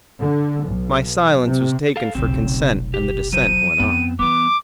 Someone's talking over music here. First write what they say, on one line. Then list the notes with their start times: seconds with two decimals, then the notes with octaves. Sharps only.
My silence was taken for consent and the descent went on.
0.20 D3
0.65 B1
1.44 C3
1.96 A4 F5
2.15 F1 B1 C#3 C4
2.94 G4
3.33 F#3 C5 D#7
3.80 F2 F3 B3 C4
4.19 E3 G3 B3 B4 D6